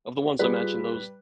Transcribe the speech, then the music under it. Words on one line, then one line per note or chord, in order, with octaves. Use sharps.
of the ones I mentioned, those
G3 F4 G#4 B4